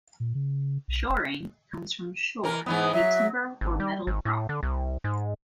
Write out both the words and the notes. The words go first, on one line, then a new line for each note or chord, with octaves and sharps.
"Shoring" comes from "shore" a timber or metal prop.
A#2
C#3
B1
F1
E3 A#4
G#2 E3 B3
F#3 E5
G#1
G3
G#1
A2
D3
C2
G#2